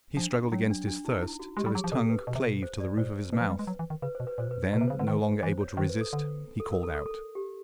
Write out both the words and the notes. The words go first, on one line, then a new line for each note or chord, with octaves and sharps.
He struggled against his thirst till his tongue clave to the roof of his mouth; then, no longer able to resist, he called out.
F3 D4
F#3 C#4
G3
F#3 D4
D4
D#4
E4
F#4
G#3 G4
G3
F#3 G#4
F3
B2 A4
B4
B2
C3
B2
C5
D5
A#2 C5
B2 B4
F3
G3
G#3
F#3
E3
D#3
C#3 B4
C5
B2
B4
A#2 C5
B2 B4
A#2
C5
B2
B4
C3
C#3 C5
D3 B4
D#3
E3 C5
C#5
D#3 C5
B4
A4
D3 A4
A4
A#4
A4
A4
A4
G4